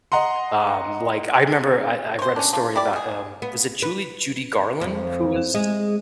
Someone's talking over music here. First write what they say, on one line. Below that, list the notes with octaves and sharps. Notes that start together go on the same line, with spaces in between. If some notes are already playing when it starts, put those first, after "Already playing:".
um, like, I remember I I read a story about um, was it Julie Judy Garland who was
D#5 F#5 A#5 C6
C5 C#5
C#4 D4
F3 D4
E4 G4 D5
B2 G#4
B3
B4
F2
G#3